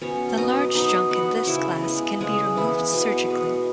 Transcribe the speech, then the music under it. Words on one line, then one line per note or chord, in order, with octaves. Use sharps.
The large junk in this class can be removed surgically.
B2 C#4 C#5
F#3 B3 D#4 D#5
B2 D#4 D#5
F#3 B3 F#4 F#5
C#3 E4 E5
G#3 B3
C#3 G#3 G#4
E3 G#3 B3 E4
B2
G#3 B3